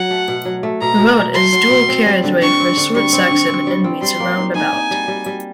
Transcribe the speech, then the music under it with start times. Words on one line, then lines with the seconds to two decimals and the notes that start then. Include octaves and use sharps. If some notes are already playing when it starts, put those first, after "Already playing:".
The road is dual carriageway for a short section and meets a roundabout.
Already playing: F#3 F#5
0.11 A3
0.28 B2
0.45 F#3
0.63 A3
0.81 B2 A#5
0.99 B2
1.18 B2
1.34 A3 C6
1.53 F#3
1.70 B2
1.88 C4
2.06 G3
2.24 D3
2.41 D3 C#6
2.60 C4
2.77 D3
2.95 G3 C#6
3.12 C4
3.30 D3
3.48 C4
3.67 G3
3.84 C4
4.02 G3 C6
4.20 A#3
4.37 D#4
4.55 D#4 G#5
4.73 D#4
4.91 G3
5.08 G3
5.26 G3